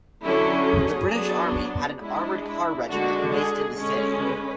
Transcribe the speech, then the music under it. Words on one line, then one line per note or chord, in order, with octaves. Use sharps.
The British Army had an armored car regiment based in the city.
D3 F#3 C#4 E4
G#4
F#3 B3 D4
G#3 D4 E4
E4
D3 G#3 D4 F#4
G#4
D3 G#3 C#4
B4